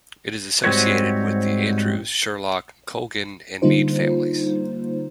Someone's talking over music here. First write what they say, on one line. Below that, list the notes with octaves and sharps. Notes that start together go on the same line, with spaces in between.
It is associated with the Andrews, Sherlock, Colgan and Meade families.
G#2 G3 C4 F#4 G4 C#5
D3 G3 A#3 D#4 F4 C5